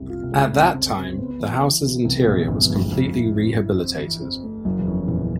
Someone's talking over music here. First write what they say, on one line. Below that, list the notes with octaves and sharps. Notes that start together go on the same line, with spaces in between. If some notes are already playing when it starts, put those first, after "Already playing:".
At that time, the house's interior was completely rehabilitated.
Already playing: F#1 C2 F#2 C3
F4
C3
C#2 C#3 G#3
C4
C4
C4
B3
E3
E3
B3
C2 C3 E3
A#1 A#2 B3
G1 G2 E3
F2 G#3
F2 C4
E4
C4
E4
C4
E3
C4
A3
F#1 F#2 F#3
E2
F2 C#4
E2 A#2